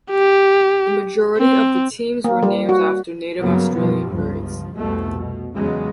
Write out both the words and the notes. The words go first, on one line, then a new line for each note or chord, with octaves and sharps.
The majority of the teams were named after native Australian birds.
G4
C4
A#3
G3
F#4
G2 C#3 F#3 A#3 B3
F#2 B2 F3 G3
G1 C#2 F3
C2 F2 B2 A3
B2
E2 C#3 F#3 G#3 B3